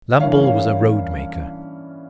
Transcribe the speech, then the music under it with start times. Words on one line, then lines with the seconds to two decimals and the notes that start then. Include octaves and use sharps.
Lambole was a roadmaker.
0.21 G2 E3 A#3 C#4 F5